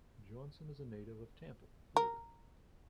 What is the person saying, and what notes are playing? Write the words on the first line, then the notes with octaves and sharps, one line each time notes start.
Johnson is a native of Tampa, Florida.
A#4